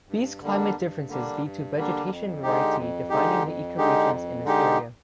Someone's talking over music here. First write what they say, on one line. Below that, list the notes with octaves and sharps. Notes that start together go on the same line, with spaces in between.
These climate differences lead to vegetation variety defining the ecoregions in this area.
G2
D3 G3 A#3 D4
G2
D3 G3 A#3 D4
G2
D3 G3 A#3 D4
F2
D3 G#3 D#4 G4
F2
D3 G#3 D#4 G4
F2
D3 G#3 D#4 G4
F2
D3 G#3 D#4 G4